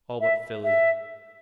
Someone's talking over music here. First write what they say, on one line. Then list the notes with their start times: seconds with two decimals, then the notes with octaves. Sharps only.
All but Philly.
0.21 E5
0.64 E5